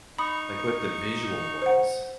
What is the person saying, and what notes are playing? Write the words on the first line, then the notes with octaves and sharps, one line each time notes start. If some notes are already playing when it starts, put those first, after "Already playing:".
like, what the visual was.
D#4 B5 C#6 D#6
C5 F#5